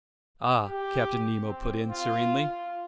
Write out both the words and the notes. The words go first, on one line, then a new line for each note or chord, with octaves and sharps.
"Ah!" Captain Nemo put in serenely.
G4
C4
F4
F4